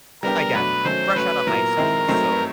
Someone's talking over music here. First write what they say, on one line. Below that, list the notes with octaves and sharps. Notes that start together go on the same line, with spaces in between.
again, fresh out of high school. So,
G3 B3 D4 G4 A#4
B2 F#3 A3 D4 F#4 B4
D#3 F#3 A3 C#4 C5
F#3 A3 C#4 F#4 B4
A#2 F#3 B3 E4 A#4
D#3 G#3 C4 E4
F#3 A3 C4 D#4